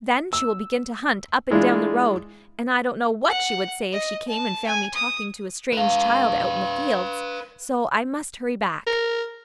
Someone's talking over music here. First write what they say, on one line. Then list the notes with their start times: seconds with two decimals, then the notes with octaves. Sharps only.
Then she will begin to hunt up and down the road, and I don't know what she would say if she came and found me talking to a strange child out in the fields, so I must hurry back.
0.33 E6
1.50 E3 G#3 D4 E4 F4
3.30 F#5
3.93 D#5
4.28 A5
4.66 G#5
4.95 D#6
5.73 B4 F5
8.87 A#4